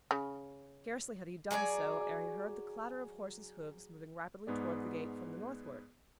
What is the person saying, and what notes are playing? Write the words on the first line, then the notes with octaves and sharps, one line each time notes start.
Scarcely had he done so ere he heard the clatter of horse's hoofs moving rapidly towards the gate from the northward.
C#3
F#3 G#4 A4 D5
G#2 B3 G#4 D5